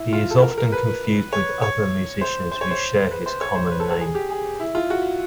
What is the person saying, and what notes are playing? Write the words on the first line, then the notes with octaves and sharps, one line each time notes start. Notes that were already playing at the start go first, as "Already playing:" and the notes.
He is often confused with other musicians who share his common name.
Already playing: E4
F4
A4
A#4
A#4
B4
C#5
C#5
C5
C5
C#5
C5
B4
C5
C#5
C5
B4
A4
A4
G#4
G4
G#4
E4
F4
F#4